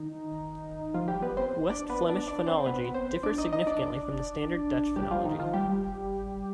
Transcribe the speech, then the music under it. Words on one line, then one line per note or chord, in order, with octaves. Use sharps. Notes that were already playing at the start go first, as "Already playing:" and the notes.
West Flemish phonology differs significantly from the standard Dutch phonology.
Already playing: D#3 D#4
F3 F4
G3 G4
B3 B4
C4 C5
D4 D5
B3 B4
D4 D5
D4 D5
C4 C5
B3 B4
C4 C5
D4 D5
D#4 D#5
D#4 D#5
D4 D5
G3 G4
F3 F4
D#3 D#4
F3 F4
G3 G4